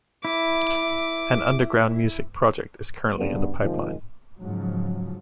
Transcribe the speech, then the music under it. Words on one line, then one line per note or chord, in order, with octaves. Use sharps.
An underground music project is currently in the pipeline.
E4 D6
G2 C#3 B3
C3 D#3 F3 G#3
G#2 C#3 F3 F#3